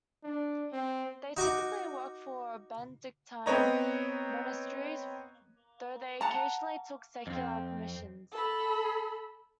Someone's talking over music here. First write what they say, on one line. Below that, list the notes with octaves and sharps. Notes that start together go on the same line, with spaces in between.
They typically worked for Benedictine monasteries, though they occasionally took secular commissions.
D4
C4
D#4 F#4 C#6 D6
B3 C4 B4 C#5 D#5 A#5
F#5 A5 A#5
F2 C4
A4 B5